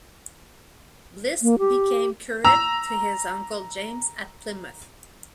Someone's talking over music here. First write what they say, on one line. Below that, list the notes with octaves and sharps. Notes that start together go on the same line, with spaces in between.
Bliss became curate to his uncle James at Plymouth.
A#3
G4
A#5 E6